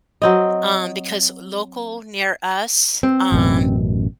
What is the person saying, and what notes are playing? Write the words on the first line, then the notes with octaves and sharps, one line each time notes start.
um, because local near us, um,
F#3 C4 D#5
C4
A1 F#2 B2